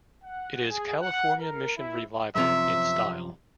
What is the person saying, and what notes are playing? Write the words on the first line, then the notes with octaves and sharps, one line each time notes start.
It is California Mission Revival in style.
F#5
G#4
F#5
A#4
E4
F#2 C3 F3 E5